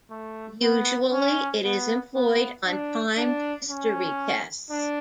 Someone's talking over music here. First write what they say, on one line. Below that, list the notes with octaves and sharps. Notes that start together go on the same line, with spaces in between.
Usually it is employed on timed history tests.
A3
B3
C#4
B3
B3
D4
D4
C#4
D4